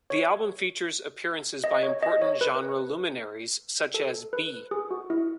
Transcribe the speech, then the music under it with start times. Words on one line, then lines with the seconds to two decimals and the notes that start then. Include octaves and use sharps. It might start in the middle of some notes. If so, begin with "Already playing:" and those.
The album features appearances by important genre luminaries, such as B.
0.10 C#5
1.64 D#5
1.83 C#5
2.03 D#5
2.22 C#5
2.41 B4
3.94 A4
4.33 B4
4.71 G#4
4.91 F#4
5.10 E4